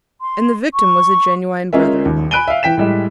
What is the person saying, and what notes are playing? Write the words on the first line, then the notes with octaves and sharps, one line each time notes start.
And the victim was a genuine brother-in-law.
C6
C#6
G#3 C#4 F4 A#4 E5
D#2
G#5 B5 F#6 D7 D#7 G7
E5 F5
E3 G5 B6 E7
A2 G3 G#3